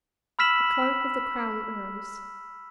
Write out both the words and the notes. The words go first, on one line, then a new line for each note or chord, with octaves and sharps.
The Clerk of the Crown arose.
B5 E6 F6 B6 E7 F#7